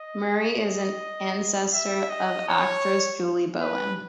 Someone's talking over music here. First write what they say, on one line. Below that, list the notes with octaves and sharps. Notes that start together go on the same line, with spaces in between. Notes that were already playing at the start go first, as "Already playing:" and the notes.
Murray is an ancestor of actress Julie Bowen.
Already playing: D#5
D#5
E5
D#5
C#5
B4